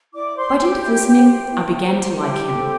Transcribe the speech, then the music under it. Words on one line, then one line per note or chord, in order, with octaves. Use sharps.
By dint of listening, I began to like him.
E4 D5 D6
C5 C6
G4
C5
G4 G5
E4
G4 C5
E4
G4 C5
E4 G4 G5
A4
C5